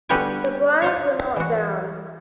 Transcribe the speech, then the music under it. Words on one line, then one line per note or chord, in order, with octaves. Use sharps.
The blinds were not down.
D3 G3 B3 F#4 G4 G#5
F4 C5 C#5
E3 F#4